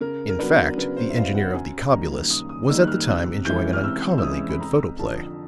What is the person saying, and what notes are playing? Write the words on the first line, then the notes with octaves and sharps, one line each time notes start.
In fact, the engineer of the Cobulus was at the time enjoying an uncommonly good photoplay.
C#3 A#4
A#4
F#3 B3 D4 B4
C#3 B4
C5
E5
F#3 B3 D4 F5
F#5
F#2 G#5
D#3 G3 A#3 D#4 A#5
F#2 D#6
D#6
D#3 G3 A#3 D#4 E6
F#6
F6
C3 F#6
E3 G#3 C#4 E4 G6
F6
C3 E6
E6
E3 G#3 C#4 E4 D#6
B5
F2 A#5
D3 F3 A5